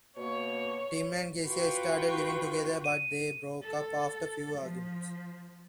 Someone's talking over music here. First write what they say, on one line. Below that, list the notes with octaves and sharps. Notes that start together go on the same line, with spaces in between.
Tim and Geisa started living together but they broke up after a few arguments.
B2 A#3 C#5
F4 F#4 B4 G5 C#6
D#7
A4
F3